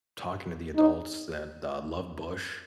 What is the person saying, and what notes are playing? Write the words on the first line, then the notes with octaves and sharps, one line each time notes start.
talking to the adults that, uh, loved Bush,
D#4